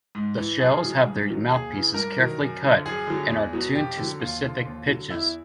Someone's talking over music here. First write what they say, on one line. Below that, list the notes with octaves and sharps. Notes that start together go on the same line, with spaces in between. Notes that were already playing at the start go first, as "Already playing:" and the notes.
The shells have their mouthpieces carefully cut and are tuned to specific pitches.
G#2
E3
F#2 G#4
D#3 F#3
G2
D#3 F#3
D#2 G#4
C#3 E3
G2 A#4
D#3 F#3
F#2
D3 F3
F#2 G#4
D3 F#3
E2
B2 F#3
F2 G4
D3
F#3
D#2 F4
D3 F3
D#2
D3 F#3
E2 E4